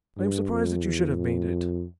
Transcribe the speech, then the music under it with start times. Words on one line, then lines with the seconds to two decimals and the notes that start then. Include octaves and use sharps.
I am surprised that you should have made it.
0.17 G2
0.50 F2
0.83 E2
1.16 F2